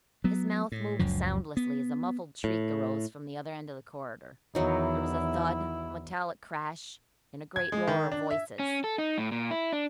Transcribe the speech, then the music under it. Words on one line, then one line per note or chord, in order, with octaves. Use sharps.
His mouth moved soundlessly as a muffled shriek arose from the other end of the corridor; there was a thud, a metallic crash, and a great roar of voices.
F#3 B3
A2
F#1 C#2 F#2 F3
B3
A2
E2 D#3 F#3 D#4 E4
G#6
G#3
D#3
D4
E5
C#4
A4
D#4
A2
A#2
E4
D4